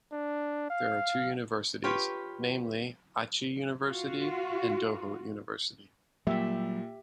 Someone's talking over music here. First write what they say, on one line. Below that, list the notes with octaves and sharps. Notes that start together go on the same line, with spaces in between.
There are two universities, namely Aichi University and Doho University.
D4
F5
F4 G4 B4 C#5
F4 F#4
A#2 F#3 G3 G4 E5